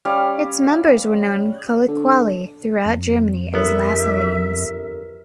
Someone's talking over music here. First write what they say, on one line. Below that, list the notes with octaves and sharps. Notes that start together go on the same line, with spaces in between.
Its members were known colloquially throughout Germany as "Lassalleans".
G3 C#4 F5
D3
F2
G1 B3 A#4 E5